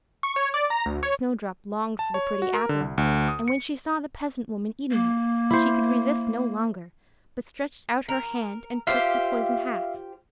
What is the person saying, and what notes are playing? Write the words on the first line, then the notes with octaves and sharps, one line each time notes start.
Snowdrop longed for the pretty apple; and when she saw the peasant-woman eating it, she could resist no longer, but stretched out her hand and took the poisoned half.
C#6
C#5
D5
A#5
D2
C#5
A5
C#5
F#4
A#4
D3
C2
D2
D#6
C#7
A#3
E4 C5
A#4
F4 G4 C5 E5 F5